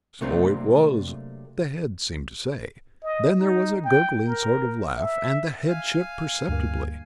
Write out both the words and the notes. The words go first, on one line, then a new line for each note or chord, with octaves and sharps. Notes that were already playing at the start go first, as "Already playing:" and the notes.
"So it was!" the head seemed to say; then there was a gurgling sort of laugh, and the head shook, perceptibly.
C3 F#3 A3 A#3 C4 D4
D#5
D#4
G5
A#4
E5
F5 G#5
D2 G2 A#3